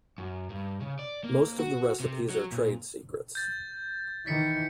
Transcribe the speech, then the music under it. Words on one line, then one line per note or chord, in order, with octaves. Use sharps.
Most of the recipes are trade secrets.
F#2
G2
C#3
D5
A#3
F#4
C3
F#3
A#2
G6 A6
D#3 E3 A6 B6 C#7